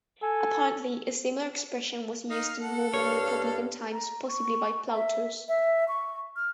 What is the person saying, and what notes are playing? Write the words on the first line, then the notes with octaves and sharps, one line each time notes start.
Apparently, a similar expression was used in Roman Republican times, possibly by Plautus.
A4 G#5
D#4 F5
A4 F#5
G2 C#5 F5
A#5
C#6
E5
E5
C#6
F6